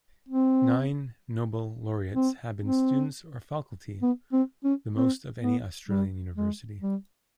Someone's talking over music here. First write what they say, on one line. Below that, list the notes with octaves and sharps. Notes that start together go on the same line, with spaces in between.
Nine Nobel laureates have been students or faculty, the most of any Australian university.
C4
C4
C4
B3
C4
C#4
C4
B3
G3
G#3
G3